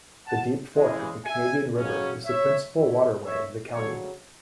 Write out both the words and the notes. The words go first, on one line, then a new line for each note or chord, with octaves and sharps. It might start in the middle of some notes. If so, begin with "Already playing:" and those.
The Deep Fork of the Canadian River is the principal waterway in the county.
F#5 A5
C#3 E3 G#3
E5 G#5
C#3 F#3 C#4
C#5 E5
F#2 D3 F#3 C#4 E4
C#5 E5
D2 C#3 F#3 A4 C#5